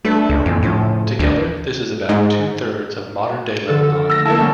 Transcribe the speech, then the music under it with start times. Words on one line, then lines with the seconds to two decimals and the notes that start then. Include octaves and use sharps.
Together this is about two thirds of modern-day Lebanon.
0.05 A3 D4 A4 B4
0.29 C#2
0.46 F2 A#2 E3
0.63 A2 C#3 F3 A4
1.19 D2 D4
2.09 G#2
3.69 D3 F3 A4
3.82 A4
3.95 A#4
4.10 E6 A#6
4.26 A#3 E4 A4 A5
4.39 G3 B3 C#4 D#4